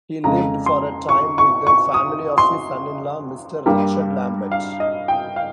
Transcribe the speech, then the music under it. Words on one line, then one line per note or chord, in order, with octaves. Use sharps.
He lived for a time with the family of his son-in-law, Mr. Richard Lambert.
F2 C#3 G#3 A#5
C6
C#6
C#6
C#6
D#6
C6
G2 G3 A#3
F5
D#5
G5
F5